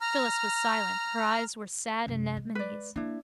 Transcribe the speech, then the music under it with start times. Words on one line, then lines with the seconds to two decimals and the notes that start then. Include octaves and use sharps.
Phyllis was silent: her eyes were sad anemones.
0.01 A#5 F6
2.07 F#2 C3
2.37 G#3
2.55 B4 D5
2.96 A#3 D4 E4